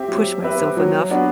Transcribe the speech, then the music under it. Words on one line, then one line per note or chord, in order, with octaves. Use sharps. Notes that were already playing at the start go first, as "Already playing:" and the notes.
push myself enough.
Already playing: C4 G4 E5
F#3
C4 G4 B4 E5
F#3
B3 D4 F#4